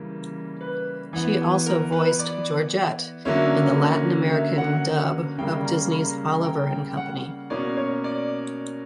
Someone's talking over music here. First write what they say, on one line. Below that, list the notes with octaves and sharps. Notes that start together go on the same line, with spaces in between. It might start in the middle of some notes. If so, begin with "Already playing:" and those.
She also voiced Georgette in the Latin American dub of Disney's Oliver and Company.
Already playing: C#3 E3 G3 A#3
B4
E3 B3
A#4
B4
D5
D3 F#3 A#3 C#4 E5
E5
F#5
C#3 G3 A#3 G5
A#5
B5
A#5
A#5
G5
G5
F#5
B2 A#3 C#4 D5
C#5
D5